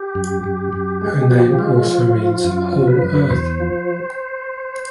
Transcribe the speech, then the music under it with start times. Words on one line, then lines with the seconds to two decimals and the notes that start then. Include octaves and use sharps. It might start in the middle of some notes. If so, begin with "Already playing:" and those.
Her name also means "Whole Earth".
Already playing: G4
0.15 F#2
0.44 F#2
0.73 F#2
1.01 G#3
1.29 F3
1.59 G#3 F4
1.87 F3
2.16 F3
2.44 F#2 F4
2.73 F3
2.88 B4
3.02 F#2
3.30 E2 C5
3.60 F3